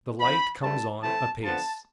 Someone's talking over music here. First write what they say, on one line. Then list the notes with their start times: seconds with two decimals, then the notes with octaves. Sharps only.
The light comes on apace.
0.20 D3 F3 C4 B5
0.62 G2 D3 A3 C4 A5
1.02 A2 E3 A3 C4 A5
1.44 D3 F3 B3 A5